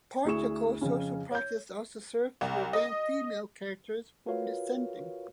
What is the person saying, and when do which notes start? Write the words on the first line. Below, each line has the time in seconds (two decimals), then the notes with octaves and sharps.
Patriarchal social practice also serve to prevent female characters from dissenting.
0.25 D2 E4 G#4 E5 C#6 E7
0.81 F2 C#3 C#4
1.31 C#5 G6
2.41 C2
2.73 D#5
4.26 F4 F#4 A#4 B4 C#5 F5